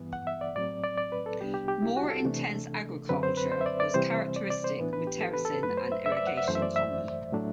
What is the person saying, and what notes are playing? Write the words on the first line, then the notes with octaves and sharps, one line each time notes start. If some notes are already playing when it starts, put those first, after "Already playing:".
More intense agriculture was characteristic, with terracing and irrigation common.
Already playing: G2 E3 B3
F#5
E5
D5
A2 F#3 C4 D5
D5
D5
B4
A4
C2 C3 G3 B3 D4 G4
G4
G4
E4
F#4
A4
C3 E3 A3 D4
F#2 D3 F#3 C4 B4
C5
B4
C5
E5
D5
D5
C3 E3 G3 C4 C5
D5
D5
C5
A2 E3 B3 D4 B4
B4
G4
A4
B4
A4
F#2 F#3 A3 B4
C5
E5
E5
D5
E5
F#5
E5
F#2 E3 A3 C5
E5
D5
E5
A2 F#3 A3 D4